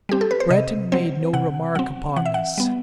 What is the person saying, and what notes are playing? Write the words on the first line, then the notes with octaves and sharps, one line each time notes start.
Breton made no remark upon this.
G3 C4 G4
A4
B4
C5
C3 D#5
F#3 C4 C5
C3 F#5
F#3 C4 F#5
E3 F#5
E5
F#5
G3 B3